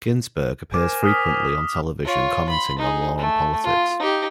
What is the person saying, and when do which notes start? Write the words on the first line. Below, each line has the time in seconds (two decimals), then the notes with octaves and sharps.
Ginsberg appears frequently on television commenting on law and politics.
0.74 A#4 C5 G#5 D6
1.04 D#6 F6 B6
2.05 F4 C#5
2.49 B5 C6
2.78 D#4 G#4
3.17 A3
3.63 F4
3.99 D#4 G4